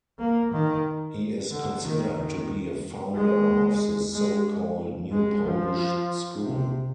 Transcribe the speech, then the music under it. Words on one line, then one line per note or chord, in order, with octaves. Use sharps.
He is considered to be a founder of the so-called "New Polish School".
A#3
D#3
D3
D#3
D#3
G#3
G#3
G#3
F3
C3